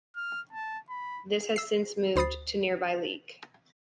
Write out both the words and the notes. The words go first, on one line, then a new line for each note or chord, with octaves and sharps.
This has since moved to nearby Leek.
F6
A5
B5
E6 C7
D2 C5 B5 D#6 A6 C7